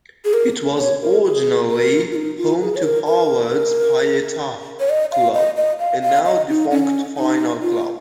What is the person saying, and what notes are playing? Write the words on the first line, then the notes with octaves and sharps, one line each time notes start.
It was originally home to Harvard's Pi Eta Club, a now defunct final club.
G#4
A#4
C#5
A#4
G#4
A#4
F4
D#4
F4
G#4
C#5
A#4
A#4
C#5
D#5
F5
D#5
D#5
F5
F5
D#5
D#4
C#4
D#4
F4